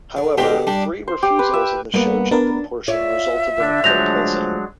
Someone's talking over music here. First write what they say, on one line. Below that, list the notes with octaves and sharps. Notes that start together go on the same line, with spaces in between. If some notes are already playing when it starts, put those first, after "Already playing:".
However, three refusals in the show jumping portion resulted in a poor placing.
D3
B2 D3 G#3 B3 G4 G5
G3 D4 G4
C5
G4
B4
E5
G2 A#3 B3
B3 D4 A#4 B4
F4 C#5 D5 E5
D3 D4
D2 F3 F#3 G#3 D4 G6 A#6 F7